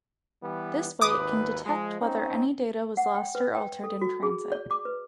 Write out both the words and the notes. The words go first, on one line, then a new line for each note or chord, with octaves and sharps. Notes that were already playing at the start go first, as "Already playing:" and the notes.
This way it can detect whether any data was lost or altered in transit.
E3 G3 B3
G#1 D#2 B4 D6 D#6
F3 G#3
C4 C#4 D#4
F#5
G5
B4
G5
A4
F#4
G#4
D5
D6
B4